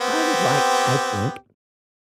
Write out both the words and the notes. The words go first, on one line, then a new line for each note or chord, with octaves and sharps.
I would like I think
B3 C4 G4